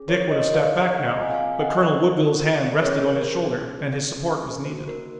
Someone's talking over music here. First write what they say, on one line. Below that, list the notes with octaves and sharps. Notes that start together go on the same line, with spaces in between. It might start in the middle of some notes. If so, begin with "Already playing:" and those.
Dick would have stepped back now, but Colonel Woodville's hand rested on his shoulder and his support was needed.
Already playing: C#4 G#4
A#4 C#5
C5 D#5
C#5 F5
C4 F4 G#4 D#5 F#5
F#5 A#5
F5 G#5
F5 G#5
F5 G#5
D#5 F#5
C5
C#4 G#4 A#4 C#5
C5
A#3 D#4 F#4 C5
A#4